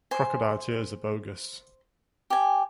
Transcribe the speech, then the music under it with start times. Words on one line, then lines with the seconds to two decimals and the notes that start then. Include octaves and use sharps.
Crocodile tears are bogus.
0.11 C5 G#5
2.30 G4 G#5